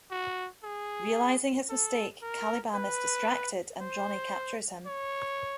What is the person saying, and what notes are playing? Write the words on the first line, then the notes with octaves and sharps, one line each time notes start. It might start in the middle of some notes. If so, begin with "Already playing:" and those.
Realizing his mistake, Caliban is distracted and Johnny captures him.
F#4
G#4
A4
A#4
B4
C5
C#5